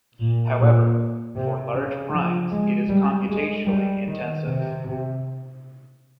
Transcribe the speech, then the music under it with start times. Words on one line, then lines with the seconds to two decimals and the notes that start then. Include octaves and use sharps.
However, for large primes it is computationally intensive.
0.20 A#2
0.59 A#2
1.36 C3
1.74 C#3
2.13 F3
2.52 G#3
2.89 G3
3.28 G#3
3.67 G3
4.06 D#3
4.45 C3